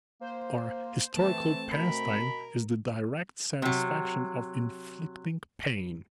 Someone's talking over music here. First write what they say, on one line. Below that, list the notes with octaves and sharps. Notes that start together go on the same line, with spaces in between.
Our historical pastime is the direct satisfaction of inflicting pain.
A#3 C5
E3 A3 C4 A5
B2 A#4 B5
C3 F#3